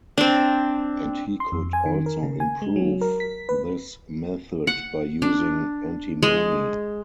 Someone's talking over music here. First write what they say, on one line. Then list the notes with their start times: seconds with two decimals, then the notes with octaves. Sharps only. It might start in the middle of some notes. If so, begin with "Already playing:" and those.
And he could also improve this method by using antimony.
0.18 C4 D4
1.40 C6
1.52 F2
1.73 G#5
1.86 D#3
2.06 A#4
2.23 C#3
2.40 G#5
2.62 G#3
2.76 F#3
3.01 A#4
3.20 B6
3.49 B4
4.67 F#5
5.22 D4
6.23 G#3